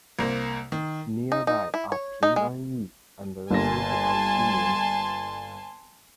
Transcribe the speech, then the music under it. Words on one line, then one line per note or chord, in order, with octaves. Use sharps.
Nearby are Pinganyi and the city of Xining.
C2 A#3 C5
D#3
D#4
D#4
E4
C#5
D#4
G#3
G1 A#3 G#5 A5 C6 A#6